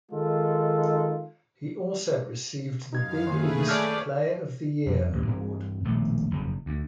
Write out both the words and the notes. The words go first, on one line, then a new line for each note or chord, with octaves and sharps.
He also received the Big East Player of the Year award.
D#3 G#3 F4 A4
F#2 D#4 F5 G#6
D#3 A3 A#3 G#4 B4
C#5 D5 A5 F6 G6
F2 G3
A1 D#2
G2 E3 C4
D#1 A#1 B2 A3
F#1 F2 G#2
D2